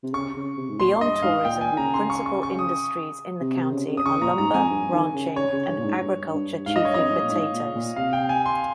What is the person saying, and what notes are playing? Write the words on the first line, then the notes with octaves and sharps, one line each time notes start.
Beyond tourism, principal industries in the county are lumber, ranching and agriculture-chiefly potatoes.
C3
C#3 C#6
C#3
C3
G#2
A#2 C6
G2 D#5
G#2 F5
A#2 G5
G#5
D#3
C#3 A#5
C6
C#6
C#6
C#6
D#6
C3
C3
C#3
C#3
D#6
C#3 C#6
A#2 A#5
G#2 A#5
F2 G#5
G2
D#3
C#3
C#3 C#5
C#3
G2
A#2
G#2
G2
G2
G#2 F5
D#5
G2 C#5
F2 D#5
G#2
G2
A#2
G#2
A#2
A#2
C3 F5
G5
G#5
C6